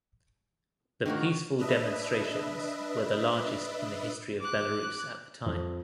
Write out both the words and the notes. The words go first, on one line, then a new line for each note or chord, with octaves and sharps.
The peaceful demonstrations were the largest in the history of Belarus at the time.
D#3 A3 A#3 D4 F4 F#4
D4 B4 D#5 E5
D6 F#6
F2